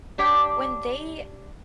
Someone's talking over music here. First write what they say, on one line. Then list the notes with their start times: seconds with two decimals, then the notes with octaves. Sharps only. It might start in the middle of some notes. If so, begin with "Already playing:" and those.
when they
0.18 D4 G4 C#5 G5